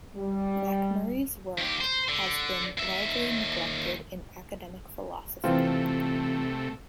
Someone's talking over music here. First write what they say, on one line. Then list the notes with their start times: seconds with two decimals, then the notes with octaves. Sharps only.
Macmurray' s work has been largely neglected in academic philosophy.
0.16 G3
1.58 D#2 G4
1.81 C5
2.09 D3
2.78 D#2 E5
5.44 C3 E3 A3 C4 F4